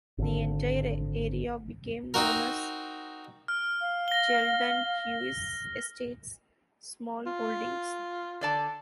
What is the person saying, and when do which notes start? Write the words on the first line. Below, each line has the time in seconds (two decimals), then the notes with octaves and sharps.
The entire area became known as Geldenhuis Estates Smallholdings.
0.18 G#1 D3
2.14 C4 D#4 F#4 A#4
3.48 F6
3.81 F5
4.08 A#6 G7
7.26 F4
8.41 D3 D5 A5